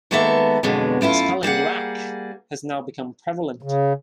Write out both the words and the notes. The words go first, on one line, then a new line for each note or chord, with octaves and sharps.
The spelling 'rack' has now become prevalent.
D#3 G#3 A#3 B3 A4 E5
F2 B2 D3 F#3 G#3
F#2 A3 E4 F4
G3 A#3 G#4 F#5
C#3